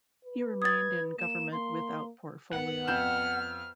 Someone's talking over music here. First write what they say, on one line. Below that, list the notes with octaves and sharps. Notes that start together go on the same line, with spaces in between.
He remained in government without portfolio.
B4
D#6 G#6 A6
A#3 E7
A#3 C6
B3 F#5
F2 F6 G6 E7